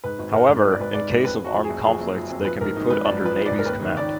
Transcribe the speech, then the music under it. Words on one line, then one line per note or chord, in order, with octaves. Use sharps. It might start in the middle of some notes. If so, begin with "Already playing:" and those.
However, in case of armed conflict, they can be put under Navy's command.
G#2 B4
G#1
G#2 A#4
G#2
G#1 B4
D5
G#1 B4
G#2 D5
G#2
F2 B4
F2 F#4
F3
G#4
F#1
F3 G#4
F#1
F3
F2
F3 B4
G#2 A#4
G#1 D#4
G#1 B4
G#1 D5
F3 B4
F3
D5
G#2
A#4
D#2 B4
D#3
D#3 D5